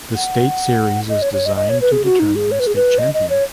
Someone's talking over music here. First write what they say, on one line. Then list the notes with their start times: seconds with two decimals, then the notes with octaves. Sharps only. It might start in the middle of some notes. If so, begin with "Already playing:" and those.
The State Series is designed to determine a State Champion.
0.15 F#5
1.09 D#5
1.22 C#5
1.33 C#5
1.46 D#5
1.56 D#5
1.69 C#5
1.81 B4
1.92 G#4
2.05 F#4
2.20 D#4
2.36 G#4
2.51 C#5
2.60 B4
2.67 G#4
2.76 B4
2.98 D#5
3.14 D#5
3.30 C#5